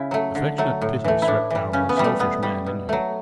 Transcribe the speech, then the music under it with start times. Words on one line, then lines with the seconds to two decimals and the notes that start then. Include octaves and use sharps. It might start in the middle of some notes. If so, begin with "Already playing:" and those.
Affectionate pity swept down the selfish man in him.
Already playing: C#3 E4
0.11 F#3 A3
0.35 D3
0.58 F#3 A3
0.82 A2
1.04 E3 A3
1.22 E4
1.27 A2 D4
1.51 E3 G3
1.73 C#3 C#4
1.89 B3
1.97 E3 G3
2.04 A3
2.19 B2 B3
2.43 G3
2.66 B2
2.89 F#3 A3